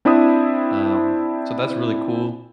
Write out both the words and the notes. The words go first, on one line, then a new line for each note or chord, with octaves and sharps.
um, so that's really cool
C4 D4 E4 C5 E5 D#6